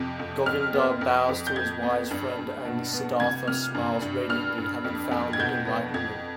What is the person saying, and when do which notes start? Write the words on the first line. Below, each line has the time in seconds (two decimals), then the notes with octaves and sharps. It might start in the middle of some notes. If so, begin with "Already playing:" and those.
Govinda bows to his wise friend and Siddhartha smiles radiantly, having found enlightenment.
Already playing: F2 C3
0.19 F2
0.46 F2 F6
0.73 B3
1.01 F2
1.29 F2
1.47 G6
1.56 F2 G#6
1.83 B3
2.11 G2
2.38 G2
2.65 B2
2.93 B3
3.20 C3 G#6
3.48 C3 F6
3.75 G2
4.02 G2
4.29 G2 F6
4.58 G2
4.84 F2
5.11 F2
5.33 G#6
5.39 B2 G6
5.66 B3
5.94 F2 G#6